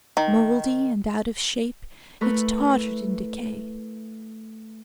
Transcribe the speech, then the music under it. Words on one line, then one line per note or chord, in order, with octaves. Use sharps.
Mouldy and out of shape, it tottered in decay.
D#3
A3 E4 A#4 B4 C#6